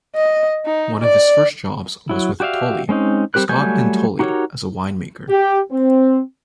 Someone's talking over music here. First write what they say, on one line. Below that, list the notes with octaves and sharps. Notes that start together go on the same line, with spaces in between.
One of his first jobs was with Tolley, Scott and Tolley as a winemaker.
D#5
D#4
D5
F#3 E4
F#4 G4 D5 E5 F5
G#3 C4 C#4 D#4
G3 C4 G4 A#4 F#6
F#3 G3 A3 G#5 G6
D#4 F#4 G4 A#4 C#5
G4
C4